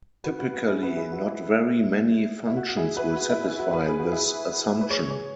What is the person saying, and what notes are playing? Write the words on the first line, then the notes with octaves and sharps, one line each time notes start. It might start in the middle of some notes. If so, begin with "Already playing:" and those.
Typically not very many functions will satisfy this assumption.
F#4 B4
F#4
F#4
E4 G#4
F#4 B4
E4 G#4
F#4
E4
E4
F#4
F#4
E4 G#4
F#4 B4
F#4
E4
E4
F#4
B4
G#4
F#4
E4 G#4
B4
G#4 C#5
G#4 C#5